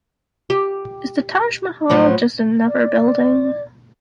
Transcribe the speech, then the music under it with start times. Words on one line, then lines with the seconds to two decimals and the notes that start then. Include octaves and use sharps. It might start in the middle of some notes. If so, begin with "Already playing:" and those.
Is the Taj Mahal just another building?
0.50 G4
1.90 A2 F3 F#3
2.67 D5